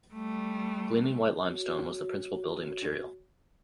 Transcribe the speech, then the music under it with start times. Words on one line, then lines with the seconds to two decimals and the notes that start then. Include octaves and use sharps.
Gleaming white limestone was the principle building material.
0.14 G3 A3
1.47 F#4 C#5